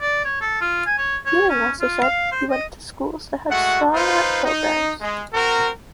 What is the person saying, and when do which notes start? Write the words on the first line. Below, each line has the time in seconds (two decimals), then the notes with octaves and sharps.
Ewing also said he went to schools that had strong art programs.
0.01 D5
0.25 C#5
0.41 A4
0.61 F4
0.86 G#5
0.98 C#5
1.25 C#5
1.49 C#4
1.80 F4
2.02 F5
2.31 C5
2.50 D#5
3.49 G#3 A3 F#4 F#5
3.94 D#4 F4 B4 C5
4.45 D#4
5.01 G#3
5.34 C4 F#4 A#4